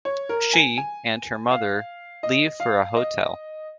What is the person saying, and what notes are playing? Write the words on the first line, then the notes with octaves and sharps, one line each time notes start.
She and her mother leave for a hotel.
C#5
A#4
G#5
G#5
F5
D#5
F5
D#5